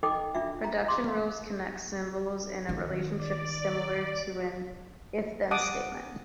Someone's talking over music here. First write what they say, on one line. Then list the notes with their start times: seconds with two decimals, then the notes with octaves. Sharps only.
Production rules connect symbols in a relationship similar to an If-Then statement.
0.03 D#4 A4 D#5 G5 D6
0.35 D4 F4 E5
0.64 A#5
0.88 C6 D6
1.08 F5
2.69 D#3
3.17 D5
5.51 F#5 A5 D6 D#6